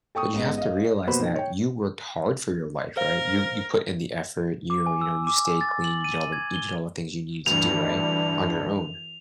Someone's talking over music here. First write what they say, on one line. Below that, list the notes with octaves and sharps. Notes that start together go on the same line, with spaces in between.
but you have to realize that you worked hard for your life, right? You you put in the effort, you you know, you stay clean, you did all the you did all the things you needed to do, right, on your own.
A4 G5 C#6 D#6
A1 G#2 B3 D#5
D#5 F5
B2 A#3 F#4 B4 C5 B5
D#3
C#5 G5
A#4 C5 F5
D6
G#5
E6
D6
G#5
A6
F#7
D#7
G#6
G7
D2 G2 E3 D4 F7